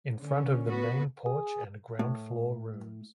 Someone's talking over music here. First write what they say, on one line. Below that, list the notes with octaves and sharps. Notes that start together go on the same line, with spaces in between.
In front of the main porch and ground floor rooms.
D3 C#4
B3 F#4 B4
G#4
A2